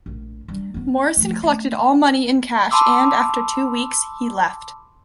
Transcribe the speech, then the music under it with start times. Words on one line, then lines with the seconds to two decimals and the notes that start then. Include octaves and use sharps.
Morrison collected all money in cash and, after two weeks, he left.
0.06 A#1 A2
0.48 G3 D4
0.74 B3 C#4
1.17 F3 A3
1.43 A3
2.71 A5 B5 C6 D6 E6